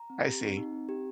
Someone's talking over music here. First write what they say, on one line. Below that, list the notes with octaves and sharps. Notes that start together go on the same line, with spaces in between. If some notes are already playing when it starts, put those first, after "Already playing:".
I see.
Already playing: A#5
C4
G4
C4
D#4
C4
G4